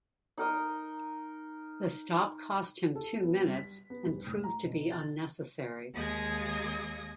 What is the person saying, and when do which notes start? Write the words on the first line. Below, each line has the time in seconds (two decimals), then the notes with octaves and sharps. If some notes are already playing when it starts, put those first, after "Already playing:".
The stop cost him two minutes, and proved to be unnecessary.
0.38 D#4 A#4 D#5
2.96 A4
3.23 B3
3.39 G3
3.55 B6
3.90 B3
4.06 D#1
4.27 A2
4.44 A#5
4.64 B2
4.92 A6
5.94 D#2 G#3 D#6 G#6 A#6